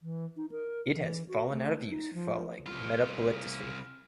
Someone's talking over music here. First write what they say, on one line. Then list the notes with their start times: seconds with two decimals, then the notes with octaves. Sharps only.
It has fallen out of use following Metapolitefsi.
0.01 E3
0.37 D#4
0.51 A#4
0.96 E3
1.28 F#4
1.52 A3
1.89 D#4
2.14 F3
2.66 C2 F4